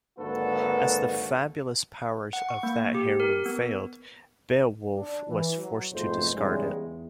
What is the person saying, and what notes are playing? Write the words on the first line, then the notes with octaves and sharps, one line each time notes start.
As the "fabulous powers of that heirloom failed," Beowulf was forced to discard it.
G#1 D3 A#3 F#4 A4 B4
F#5
C#6
A#3
G4
A#4
B3
D4
E3
F#3
G#1 F2 G#2 B2 A3 C5
E2 G#2 C#3 G3 G#3
E2